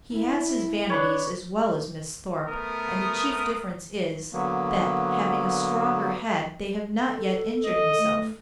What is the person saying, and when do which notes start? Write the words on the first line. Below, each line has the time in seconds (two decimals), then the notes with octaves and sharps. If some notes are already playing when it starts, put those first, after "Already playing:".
He has his vanities as well as Miss Thorpe, and the chief difference is, that, having a stronger head, they have not yet injured himself.
0.12 E4
0.90 D4 B4 C#5
2.46 A3 B3 A#4 D#6
4.33 D3 F#3 A#3 B3
7.07 A4
7.66 D#5
7.98 A3